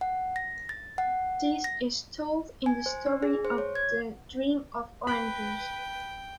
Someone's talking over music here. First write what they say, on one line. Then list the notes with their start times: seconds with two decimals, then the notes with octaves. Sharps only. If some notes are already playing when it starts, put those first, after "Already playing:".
This is told in the story of the Dream of Oengus.
0.01 F#5
0.36 A#6
0.69 A6
0.98 F#5
1.64 A#6
2.66 G#5
2.86 C5
3.06 D4
3.22 G#4
3.45 C5
3.58 C#5
3.75 G#6
5.07 B4 G5 B5